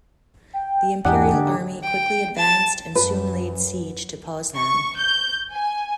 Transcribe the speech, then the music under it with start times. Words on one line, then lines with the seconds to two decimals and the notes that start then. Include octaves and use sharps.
The Imperial army quickly advanced and soon laid siege to Poznan.
0.53 G5
1.05 E2 G#2 E3 D4 D#4 G4 F#5 G#5
1.33 D3
1.83 G5
2.37 A5
2.96 F#2 B4
4.57 C#6
4.98 G6
5.52 G#5